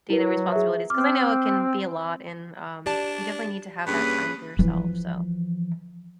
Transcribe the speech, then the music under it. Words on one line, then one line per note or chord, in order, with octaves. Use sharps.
daily responsibilities. 'Cause I know it can be a lot, and, um, you definitely need to have that time for yourself, so
F#3 E4 A#4 B4
G#4 E5
C4 D6 F6
D4 G4 D5 A5
G2 A#3 C#4 G#4 B4
E3 F3